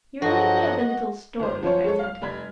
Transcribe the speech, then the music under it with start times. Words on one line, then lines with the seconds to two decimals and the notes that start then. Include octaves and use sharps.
"You remind me of a little story," I said.
0.22 G2 F3 F#3 F#4 A4 D#5 F#5
1.40 G1 C5
1.63 F3 F#3 C#4 C5 C#5
1.84 G#3 A4 C#5
1.99 F5 F6
2.22 F1 G3 B5 G#6